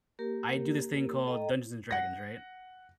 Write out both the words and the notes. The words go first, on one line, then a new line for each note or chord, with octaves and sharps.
I do this thing called Dungeons and Dragons, right?
A#3 G4 A#4
A4 D#5 G5 A#5
F#5 A#6